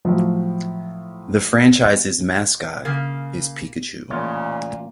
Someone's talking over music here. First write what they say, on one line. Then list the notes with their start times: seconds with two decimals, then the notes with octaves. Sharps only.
The franchise's mascot is Pikachu.
0.05 A2 F3 F#3
2.85 C#3 A#3
4.10 A1 D#2 A#2 C#3 A#3 F4 C#5